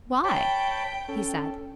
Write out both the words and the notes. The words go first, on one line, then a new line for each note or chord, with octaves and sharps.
'Why,' he said.
C#5 G5 A5 B5
C#4 A4